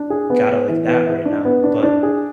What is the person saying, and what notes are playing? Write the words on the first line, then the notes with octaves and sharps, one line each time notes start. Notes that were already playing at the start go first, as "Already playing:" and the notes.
got it, like, that right now." But,
Already playing: D4
G#4
B3
B3
E3
B3
E4
D4
B3
D4
D4
G#4